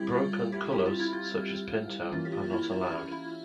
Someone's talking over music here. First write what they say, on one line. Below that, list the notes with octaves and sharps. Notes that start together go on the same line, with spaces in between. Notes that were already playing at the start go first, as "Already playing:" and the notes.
"Broken" colours such as pinto are not allowed.
Already playing: G3 C4 E4 G4
F4
F4
E4 G4
G4
F4
E4
F4
E3 A#3 C#4 F4
G4
F4
E4
F4
E4
E4